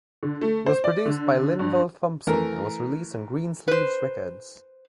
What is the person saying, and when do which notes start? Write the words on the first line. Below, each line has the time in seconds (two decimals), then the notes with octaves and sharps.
It was produced by Linval Thompson and was released on Greensleeves Records.
0.23 D3
0.41 A3
0.66 C5
0.84 D5
1.06 D3
1.59 G2
2.27 E3 A3 A#4
3.68 B4 C5